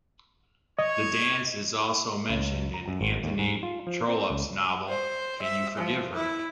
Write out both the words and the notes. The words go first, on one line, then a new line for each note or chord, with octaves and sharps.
The dance is also mentioned in Anthony Trollope's novel Can You Forgive Her?
C#5 D#5
C#2
A#5
F#2
G#1
D#2
G#2
F4
F3
C4
C#2
C5
E5
F3
E4